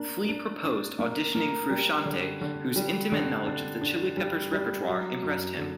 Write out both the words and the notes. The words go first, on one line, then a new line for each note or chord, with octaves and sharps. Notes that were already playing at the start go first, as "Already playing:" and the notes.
Flea proposed auditioning Frusciante, whose intimate knowledge of the Chili Peppers' repertoire impressed him.
Already playing: A#3 D4
D4
D4
A#3
A#3
G3
D3
D3
G3
D3
D4
D4
G3
G3
F#3
F#2
D3